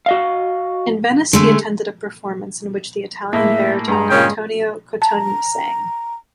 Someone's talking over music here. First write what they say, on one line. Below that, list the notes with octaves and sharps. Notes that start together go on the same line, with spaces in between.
In Venice he attended a performance in which the Italian baritone Antonio Cotogni sang.
F#4 D#5 F5
D3 G#3 A3
A2 G#3 A#3 E5
G2 G#3 A#5
A#2 C#3 G5
A5 A#5